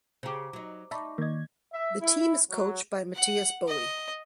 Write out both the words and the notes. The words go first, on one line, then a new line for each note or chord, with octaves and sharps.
The team is coached by Mathias Boe.
C#3 G4 C5 A#5 D6
F#3 D#4
D#4 D5 E5 A5 B5 C#6 D6
D#3 A#3 D#5 G#6
E5
E4
F#3
F#5
D#5